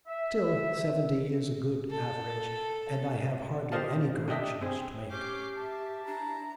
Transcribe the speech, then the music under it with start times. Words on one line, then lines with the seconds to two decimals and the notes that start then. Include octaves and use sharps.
Still, seventy is a good average, and I have hardly any corrections to make.
0.07 E5
1.90 A4
3.72 G4 C5 D#5 F5 A5
4.28 D4 G4 D#5 E5
4.62 C4 G#4
5.11 C#4 G4 D6 G6 C7
5.57 E5 A5
6.07 D4 E4 A#5